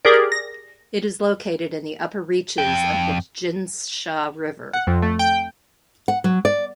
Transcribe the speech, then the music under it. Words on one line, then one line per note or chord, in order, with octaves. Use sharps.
It is located in the upper reaches of the Jinsha River.
G4 G#4 A#4 D5
A#6
F2 G5
F#5
F2
A3
G5
F#5
F#3
D5